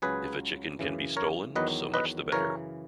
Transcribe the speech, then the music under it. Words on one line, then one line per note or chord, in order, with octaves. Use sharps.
If a chicken can be stolen, so much the better.
C#2 C#3 F#3 G#4 B4
F#2 C#3 E3
A#4 C#5
E2 D#3 F#3 B4 D#5
B4 D#5
F#2 C#3 E3 A#4 C#5